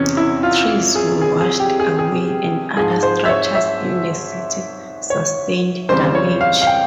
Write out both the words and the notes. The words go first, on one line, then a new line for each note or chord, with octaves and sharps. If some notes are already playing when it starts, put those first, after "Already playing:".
Trees were washed way and other structures in the city sustained damage.
Already playing: E2 C3 E3 C#4
E4
F4
G#4
G#4
G#4
G4
G#4
G#4
G#2 F3 G#4
C5
E5
C#5
E5
C#5
F2 C#3 E3 G3 C5
C#5
F5
F5
G5